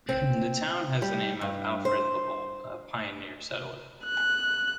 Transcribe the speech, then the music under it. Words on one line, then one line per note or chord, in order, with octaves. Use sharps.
The town has the name of Alfred Labolt, a pioneer settler.
C4
G3
G2
C5
F#6